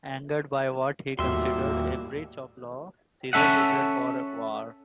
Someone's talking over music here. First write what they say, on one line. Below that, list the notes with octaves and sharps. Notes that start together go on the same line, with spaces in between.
Angered by what he considered a breach of law, Caesar prepared for war.
D#2 A2 F3 G3 A#3 F#4 E5 C6
C#4 A4 E5 F#5